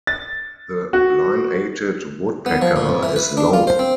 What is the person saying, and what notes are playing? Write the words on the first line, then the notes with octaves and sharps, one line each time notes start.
The lineated woodpecker is long.
A6
F#4
B3
F3
A#2
F2
E3
B4
D4
F4
C5
C4